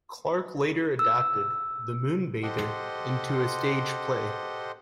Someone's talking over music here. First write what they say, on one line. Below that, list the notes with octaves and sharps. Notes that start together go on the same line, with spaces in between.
Clarke later adapted "The Moonbather" into a stage play.
E6
G4 A4 C5 D#5 F#5 C6